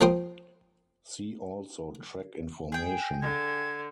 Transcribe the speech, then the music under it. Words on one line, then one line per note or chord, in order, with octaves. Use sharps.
See also track information.
F3 A#3 C5 G5 C6 D#6
G#4 G5
D3 G#6